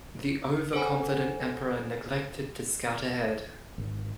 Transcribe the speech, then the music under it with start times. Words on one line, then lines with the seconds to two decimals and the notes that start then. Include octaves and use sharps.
The overconfident Emperor neglected to scout ahead.
0.73 A4 C5 C#5 F#5 G#5 B5
3.78 G#1